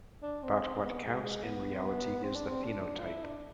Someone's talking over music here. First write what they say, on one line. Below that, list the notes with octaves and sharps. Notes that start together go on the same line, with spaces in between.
But what counts in reality is the phenotype.
D4
C4
C4
C4
B3
G#3
G#3
B3
C4
B3
C4
D4
C4
D4
F4
E4
D4